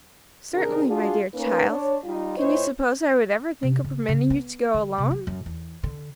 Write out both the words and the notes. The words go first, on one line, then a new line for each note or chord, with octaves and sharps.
"Certainly, my dear child, can you suppose I would ever think of permitting you to go alone?"
C3 D#3 D4 G#4 A#4
D4 F4 F#4 G#4
A#3 C#4 D#4 B4
D4 C#5
G3 D#4 F4
A#2 E4 C5 C#5 D#5
C3
C#3
C#3
B3
D3
C3
F#3
F#2
E2
D3